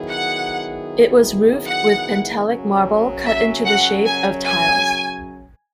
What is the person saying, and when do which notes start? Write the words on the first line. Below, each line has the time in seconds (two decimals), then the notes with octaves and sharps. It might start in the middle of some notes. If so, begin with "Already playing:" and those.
It was roofed with Pentelic marble cut into the shape of tiles.
Already playing: D#3 F#3 B3 E4 G#4
0.10 F#5
1.67 F#5
2.47 F#2 C#3 F#3 C#4
3.26 E5
3.66 F#5
4.06 G#5
4.44 G#5